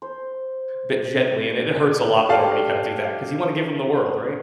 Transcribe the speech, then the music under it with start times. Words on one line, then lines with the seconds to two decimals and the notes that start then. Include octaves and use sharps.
a bit gently, and it it hurts a lot more when you gotta do that, 'cause you wanna give them the world, right?
0.02 C5
2.29 G4 A4 D5 F5